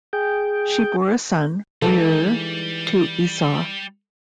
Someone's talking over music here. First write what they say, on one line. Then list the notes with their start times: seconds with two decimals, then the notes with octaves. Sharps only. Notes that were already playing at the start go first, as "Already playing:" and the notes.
She bore a son, Reuel, to Esau.
0.13 G#4 G5
1.82 E3 G3 G#3 D#4 A4